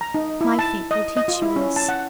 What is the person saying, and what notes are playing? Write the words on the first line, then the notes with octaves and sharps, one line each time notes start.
My fate will teach you this..
A#5
D#4
E4
A5
D#5
D#5
F4
E4
C#4
A5
F#5